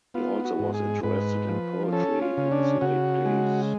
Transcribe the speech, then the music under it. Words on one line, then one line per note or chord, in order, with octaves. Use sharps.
He also was interested in poetry in his late days.
B3 F4
F#4
G#2
G#4
G#2 B4
F3
C#4 A4
F4
C#3
D4
C#3 F#4
G#3